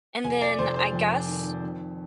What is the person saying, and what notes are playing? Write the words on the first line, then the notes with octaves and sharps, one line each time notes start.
and then I guess
F1 G#5
D5
F1 C5
C5
F2
D#3
F2